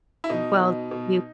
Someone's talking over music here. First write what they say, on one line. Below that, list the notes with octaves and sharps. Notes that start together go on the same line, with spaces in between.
Well, you
E4
B2 D#4
B2
B2